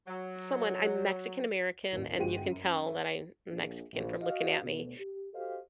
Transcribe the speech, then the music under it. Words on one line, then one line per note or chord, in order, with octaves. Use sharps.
someone I'm Mexican American, and you can tell that I'm Mexican from looking at me,
F#3
A1 D#2
G1 G#3 F#4 G5 D#7
F#2
E5
A#1
A#1
F#4 D#5 F5
D2 B2
G4
F#4 G4 A4 C5 D#5 F5